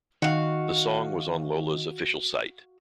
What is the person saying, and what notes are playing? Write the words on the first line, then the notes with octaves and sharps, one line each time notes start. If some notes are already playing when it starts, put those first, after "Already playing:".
The song was on Lola's official site.
D#3 F#4 F5